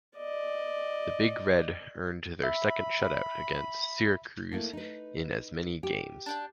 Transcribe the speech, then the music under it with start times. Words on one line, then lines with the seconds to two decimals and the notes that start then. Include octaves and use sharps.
The Big Red earned their second shutout against Syracuse in as many games.
0.17 D5 D#5
2.44 E5 B5
4.52 A3 A#3 E4
4.73 D#4 B4
5.83 G4
6.26 D4 G5 A5